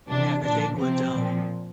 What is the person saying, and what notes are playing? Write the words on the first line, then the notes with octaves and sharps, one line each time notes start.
Yeah, that they would, um,
C3 E3 D4
A#2 F3 D4
C3 F3 C4
A#2 F3